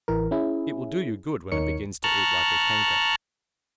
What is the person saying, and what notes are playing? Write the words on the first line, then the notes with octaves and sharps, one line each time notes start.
It will do you good when it begins to eat like a canker!
A1 E3 A#4
C#4 E4 G#4
D#2 D#4 A#4 C#5 C#7
A5 A#5 C#6 F6 F#6